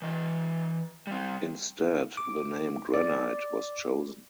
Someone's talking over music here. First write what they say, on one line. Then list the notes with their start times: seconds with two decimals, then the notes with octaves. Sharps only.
Instead, the name "Granite" was chosen.
0.02 E3 D#5
1.07 G3 C4
2.17 D6
2.94 D5